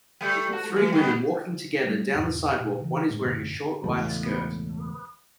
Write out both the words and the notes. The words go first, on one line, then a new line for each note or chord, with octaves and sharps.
Three women walking together down the sidewalk, one is wearing a short white skirt.
G3 A3
F#4
E3
D#3 B3
F#3 G3 A3 D4
E2 G#2 B2
B2
C#3 E3
A2 G#3
A1 F#2 B2 D3
E1 C#2 A2